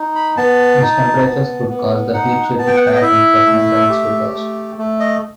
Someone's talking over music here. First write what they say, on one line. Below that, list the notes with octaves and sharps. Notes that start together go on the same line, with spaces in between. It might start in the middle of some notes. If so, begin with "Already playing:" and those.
These temperatures could cause the heat shield to crack and propellant lines to burst.
Already playing: D#4
B5
B3 A5
D#4
B3
B3
D#4 F#5
B3 A5
G5
F#5
G5
D#5
E4 E5
A3
G4
A3
A3
D#5